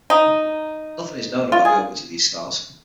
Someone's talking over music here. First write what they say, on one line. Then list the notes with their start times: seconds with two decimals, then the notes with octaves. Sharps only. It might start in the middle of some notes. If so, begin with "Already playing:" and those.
Nothing is known about the orbits of these stars.
0.10 D#4
1.52 F4
1.65 G#4